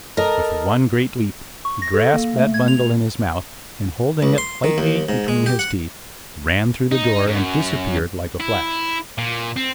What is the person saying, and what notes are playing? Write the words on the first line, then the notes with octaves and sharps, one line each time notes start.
With one great leap, he grasped that bundle in his mouth and, holding it lightly between his teeth, ran through the door and disappeared like a flash!
A4 A#4 D#5
C#6
A#6
A4
A#3
A3
G#6
F7
C#2
C6
D#3
D#2
G#2
G#3
G4
F#5
D#4
F#2
E4
A#2
C4